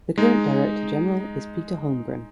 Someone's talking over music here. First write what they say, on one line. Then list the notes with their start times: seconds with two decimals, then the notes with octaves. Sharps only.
The current Director General is Peter Holmgren.
0.18 G#3 D#4